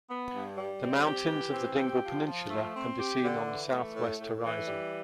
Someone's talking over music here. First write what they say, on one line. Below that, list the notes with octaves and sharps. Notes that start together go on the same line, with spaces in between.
The mountains of the Dingle Peninsula can be seen on the south west horizon.
B3
G2
G3
C4
G4
E3
C4
G4
F3
F3
A3
C4
G4
D3
E3
A3
A2
A2
E3
G3